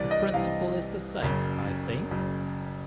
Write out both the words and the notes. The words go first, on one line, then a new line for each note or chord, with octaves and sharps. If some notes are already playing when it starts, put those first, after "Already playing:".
The principle is the same, I think?
Already playing: C2 C3 E3 D5
D#5
C2 C3 E3 F5
F#1 F#2 C#3
F#1 F#2 C#3